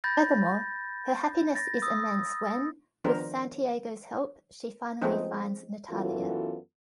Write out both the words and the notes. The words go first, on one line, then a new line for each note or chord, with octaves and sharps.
Furthermore, her happiness is immense when, with Santiago's help, she finally finds Natalia.
B5 G6 A6 A#6
A6 A#6
D#6 E6
D#3 F3 B3 D4 A#4 C5
F3 G#3 A3 B3 C4 D#4
F#2 E3 B3 F4 F#4 A4